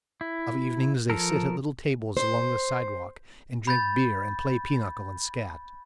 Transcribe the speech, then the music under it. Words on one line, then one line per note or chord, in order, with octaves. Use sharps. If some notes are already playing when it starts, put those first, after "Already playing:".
Of evenings they sit at little tables along the sidewalk and drink beer and play pinochle and scat.
E4
F3 A4 A#4
C5
B5 G6 A6